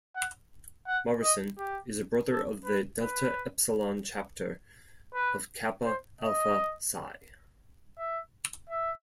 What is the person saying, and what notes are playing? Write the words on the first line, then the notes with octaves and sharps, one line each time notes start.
Morrison is a brother of the Delta Epsilon chapter of Kappa Alpha Psi.
F#5
F#5
D#5
G4
A4
B4
B4
B4
C5
D#5
E5
E5